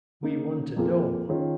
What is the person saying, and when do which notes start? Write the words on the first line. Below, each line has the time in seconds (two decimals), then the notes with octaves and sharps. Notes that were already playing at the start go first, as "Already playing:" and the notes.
We want a dome!
0.23 C#3 A#3 D#4
0.76 F2 F3 A#3 F4 G#4
1.29 D#3 C#4 F4 G#4